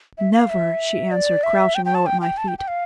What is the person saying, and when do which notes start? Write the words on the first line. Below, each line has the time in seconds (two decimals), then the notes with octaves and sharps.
"Never!" she answered, crouching low at my feet.
0.18 E5
0.33 F5
0.50 E5
1.11 D5
1.43 E5
1.75 G5
1.85 G5
1.95 A5
2.06 G5
2.22 G5
2.37 A5
2.48 G5
2.59 G5
2.68 F5